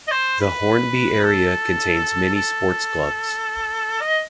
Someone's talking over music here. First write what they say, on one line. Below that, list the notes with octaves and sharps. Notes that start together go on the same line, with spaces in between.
The Hornby area contains many sports clubs.
D#5
C5
B4
A4
A4
D#5